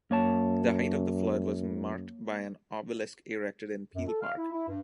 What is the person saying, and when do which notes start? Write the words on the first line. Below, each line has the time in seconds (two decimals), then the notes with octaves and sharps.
The height of the flood was marked by an obelisk erected in Peel Park.
0.11 F#2 A#3 C#5 A5
3.96 F#2
4.08 A4
4.22 F5
4.38 E4
4.52 E4
4.68 G2